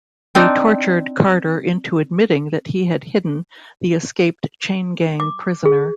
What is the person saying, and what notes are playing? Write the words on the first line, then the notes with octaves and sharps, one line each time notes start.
They tortured Carter into admitting that he had hidden the escaped chain gang prisoner.
C4 D4 D#4
D6
G#4